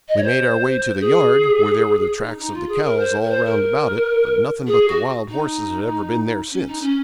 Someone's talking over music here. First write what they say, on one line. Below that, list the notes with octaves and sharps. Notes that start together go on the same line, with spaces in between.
We made our way to the yard, where there were the tracks of the cows all round about it, but nothing but the wild horses had ever been there since.
D#5
C#5
C5
G#4
D#4
D#4
F4
G#4
A#4
C5
A#4
C5
A#4
G#4
F#4
D#4
C#4
D#4
C#4